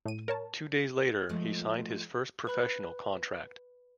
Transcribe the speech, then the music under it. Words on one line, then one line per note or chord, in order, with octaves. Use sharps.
Two days later he signed his first professional contract.
A2 D#7
A#4 C#5 A5
F3 G#3 A3
B4 B5 F#6